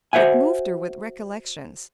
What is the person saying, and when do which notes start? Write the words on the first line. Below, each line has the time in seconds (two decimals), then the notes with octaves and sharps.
It moved her with recollections.
0.13 F#4 C5 E5 F#5 G#5